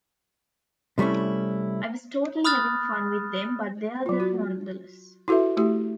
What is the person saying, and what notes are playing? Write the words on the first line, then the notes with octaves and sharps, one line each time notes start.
I was totally having fun with them, but they are there nonetheless.
C3 G3 A3 C#4 E4
B5 D#6 F6 F#6 A6
F#3 F4
F#4
E4 F#4 A4 B4 E5
A3 E4 G4